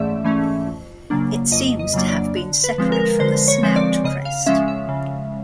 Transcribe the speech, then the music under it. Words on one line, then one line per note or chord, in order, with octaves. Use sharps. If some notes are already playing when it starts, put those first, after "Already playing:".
It seems to have been separate from the snout crest.
Already playing: G#2 E3 A3 C#4 D5 E5
E3 A3 C#4
F2
C#3 F#3 A#3 D4
F2 D#5
D#5
C#3 F#3 A#3 D4
D5
D3
B4
F3 G#3 C4
A#4
D3 C5
C#5
F3 G#3 C4
D5
C#3 D#5
F5
F3 G#3 C#4 E5
E5
C#3